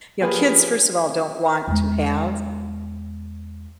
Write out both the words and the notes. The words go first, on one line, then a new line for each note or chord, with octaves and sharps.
You know, kids, first of all, don't want to have
F3 A#3 G4 G#4 B4
E2 G#3